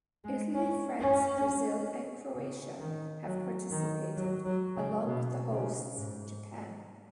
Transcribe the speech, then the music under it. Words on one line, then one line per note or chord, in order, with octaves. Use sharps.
Italy, France Brazil, and Croatia have participated, along with the hosts, Japan.
G#3
C#4
C#4
C#3
D#3
F#3
D#3
F#3
F#3
C#3
B2
C#3
G#2